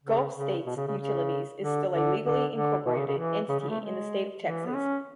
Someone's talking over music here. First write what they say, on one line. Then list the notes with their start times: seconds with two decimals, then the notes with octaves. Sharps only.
Gulf States Utilities is still a legally incorporated entity in the state of Texas.
0.03 C#3
0.35 C#3
0.66 B2
0.76 C#3
0.87 C#3
0.98 C#3
1.60 D3
1.92 D3
2.23 D3
2.55 D3
2.86 B2
2.96 C#3
3.07 C#3
3.18 E3
3.49 C#3
3.60 C#3
3.69 A3
3.80 G#3
4.43 E3
4.66 B3
4.75 C#4